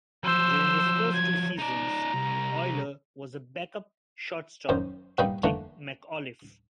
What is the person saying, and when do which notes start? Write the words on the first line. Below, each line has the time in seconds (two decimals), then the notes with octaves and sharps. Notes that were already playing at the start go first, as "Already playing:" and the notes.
During his first two seasons, Oyler was a backup shortstop to Dick McAuliffe.
0.24 F3 F#3 C5 E6
1.15 G#6
1.59 D#4 D5 A#5
2.14 C2
4.69 F#2 D#3 C5
5.18 B2 G3 A#3 D#4 G5 B5
5.44 D3 E3 A3 A#3